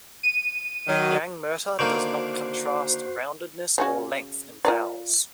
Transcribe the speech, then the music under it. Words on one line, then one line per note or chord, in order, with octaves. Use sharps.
Nyangmurta does not contrast roundedness or length in vowels.
D#7
D#3 F#3
D3 D#3 A#3 F#4 C5
C#3 C#4 F#4
F4 A#4 D5